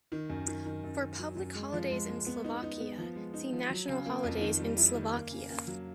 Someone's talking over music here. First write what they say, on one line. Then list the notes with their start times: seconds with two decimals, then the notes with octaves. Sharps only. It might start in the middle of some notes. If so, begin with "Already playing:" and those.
For Public holidays in Slovakia see National holidays in Slovakia.
0.12 D#3
0.30 F#2
0.48 D#3
0.66 D#3
0.84 F#2
1.01 D#3
1.19 F#3
1.37 F#2
1.55 G#3
1.73 F3
1.91 G#3
2.08 G#3
2.26 B3
2.44 D#4
2.63 D#4
2.80 B3
2.98 F3
3.16 G#3
3.34 D#4
3.52 F3
3.70 F#3
3.88 C#3
4.06 A#3
4.24 F2
4.41 D#3
4.60 G3
4.78 E4
4.94 D#3
5.13 A#3
5.31 C#3
5.49 A#3
5.67 F#3